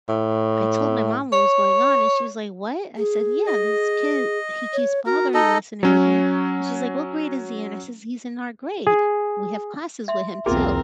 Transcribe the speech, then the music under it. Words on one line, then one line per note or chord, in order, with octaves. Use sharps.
I told my mom what was going on and she's like, "What?" I said, "Yeah, this kid, he keeps bothering us and everything." And she's like, "What grade is he in?" I says, "He's in our grade. We have classes with him too."
A2
C#5
G#4
D#5
C#5
F#4 A#4
D#4 A4 D#5
F#3 C#4
G#4
E5 C6
B1 E2 A#3 C4 F4 G#4 A#4